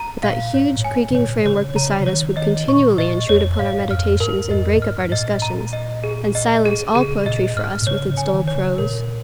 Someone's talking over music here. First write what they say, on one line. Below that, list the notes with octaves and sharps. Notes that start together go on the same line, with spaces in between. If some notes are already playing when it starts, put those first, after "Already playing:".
But that huge, creaking framework beside us would continually intrude upon our meditations and break up our discussions, and silence all poetry for us with its dull prose.
Already playing: A#5
A#2 F5
G#2 C#5
A#2
G#2 G#5
C#3
A#2 C#5
C#3 C#5
C#3 A#5
C#3
D#3 C#5
D#3 D#5
A#2 C#6
A#2 D#5
F2 C#5
G#2 F5
F2 F6
G#2 A#4
F2 D#5
A#2
G#2 F6
A#2 D#5
A#5
D#5
G#4
D#5
G#4
C#3 G#4
A#2 D#5
G#2 F6
A#2
C#3 C#5
C#3
G#5
D#3
C#5
C#3
A#2 A#4